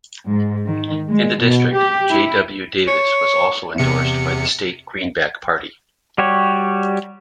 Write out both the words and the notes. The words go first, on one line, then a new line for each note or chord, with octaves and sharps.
In the District, J. W. Davis was also endorsed by the state Greenback Party.
G#2
D#3
G#3
B2
G4
E4
C#5
E2 C3 C#7
G3 F#4 G4 C#5